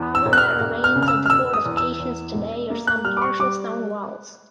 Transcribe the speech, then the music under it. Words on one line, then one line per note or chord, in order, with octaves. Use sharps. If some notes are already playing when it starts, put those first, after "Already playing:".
All that remains of the fortifications today are some partial stone walls.
Already playing: E2
E6
E1
F#6
F6
E1
F6
C#3
F6
E6
F6
E1 E6
D#6
E2
E6
E2
E1
A#3
F#6
G3 F6
D6
C#6
G3 D6